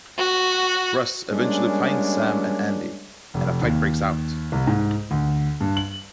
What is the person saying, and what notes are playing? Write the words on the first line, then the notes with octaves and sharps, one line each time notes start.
Russ eventually finds Sam and Andy, and a fight breaks out.
F#4
G3 G#3 A#3 C#4 D4
F1
D#2
C2
G#2
D2
G2
F#7